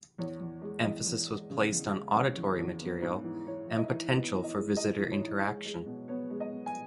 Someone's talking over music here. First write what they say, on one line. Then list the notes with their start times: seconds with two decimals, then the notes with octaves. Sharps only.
Emphasis was placed on auditory material and potential for visitor interaction.
0.18 E2 C#5
0.40 E2
0.62 G#3
0.83 E2 D#5
1.06 E2
1.28 G#3
1.50 C#3
1.72 E2
1.94 G#3
2.15 C#3 C#5
2.37 E2
2.58 E2
2.81 B3
3.02 G#2
3.24 E3
3.46 E3 C#5
3.67 E3 E5
3.78 D#5
3.90 E3
4.11 B3 D#5
4.33 E3
4.44 D#5
4.56 G#3
4.77 G#3 D#5
4.99 E3
5.10 C#5
5.20 G#2
5.42 G#3
5.65 G#3
5.86 B2
6.08 B3 C#5
6.30 G#3
6.40 D#5
6.52 B3
6.66 G#5